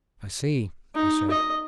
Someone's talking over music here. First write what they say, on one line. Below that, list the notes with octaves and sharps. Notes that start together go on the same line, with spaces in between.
"I see," I said.
D#4
D#5